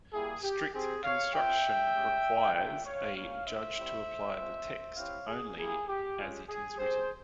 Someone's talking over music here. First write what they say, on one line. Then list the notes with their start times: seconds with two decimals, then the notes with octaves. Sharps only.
Strict construction requires a judge to apply the text only as it is written.
0.13 G3 A#3 E4 G4 G#4
0.43 G4
0.73 C4 G4 G#4
1.04 C#5 F5
1.34 C4 F4 E5 G5
1.94 G#3 C#4 G4
2.55 A#3 C#4 F4 E5 G5
2.85 C#5 F5
3.15 G3 A#3 C#4 C#5 F5
3.45 C5 E5
3.76 G3 C4 E4 G4
4.37 G#3 C4 F4
4.97 C4 E4 G4 C#5 F5
5.28 G#4
5.57 A#3 E4 G4 G#4
5.88 G4
6.17 G#3 C#4 F4 G#4
6.48 G#4
6.78 C4 G4 G#4 C5